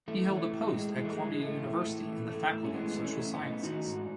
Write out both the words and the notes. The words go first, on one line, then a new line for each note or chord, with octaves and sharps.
He held a post at Columbia University in the Faculty of Social Sciences.
E3 A3
E3
A3
A2
G#3
A2
E3 G#3
A3
G#3
E3
G#3
A2 A3
A2
B3
E3 A3
E3
A2 A3
A2
C#4
E3 G#3 B3
E3
A3 C#4
A2
B3 D#4
A2
D#3 D#4 F#4
G#2